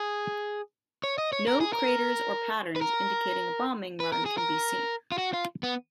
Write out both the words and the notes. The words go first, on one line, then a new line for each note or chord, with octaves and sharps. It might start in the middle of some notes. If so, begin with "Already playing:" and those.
No craters or patterns indicating a bombing run can be seen.
Already playing: G#4
C#5
D#5
C#5
A#4
G#4
A#4
B4
A#4
B4
A#4
G#4
A#4
F4
F#4
F4
B3